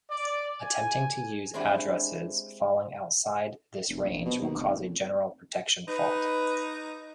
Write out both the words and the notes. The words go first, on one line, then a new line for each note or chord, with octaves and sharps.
Attempting to use addresses falling outside this range will cause a general protection fault.
D5
G#5
G#3 C4 D4 E4 G4
F1
A#1
B2
D#2
F1
D#4 B4